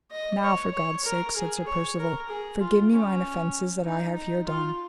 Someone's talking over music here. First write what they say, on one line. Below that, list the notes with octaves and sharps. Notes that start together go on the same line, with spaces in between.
Now for God's sake, said Sir Percivale, forgive me mine offences that I have here done.
D#5
C#5
C#5
A#4
G#4
C#5
A#4
G#4
F4
C#4
D#4
D#4
F4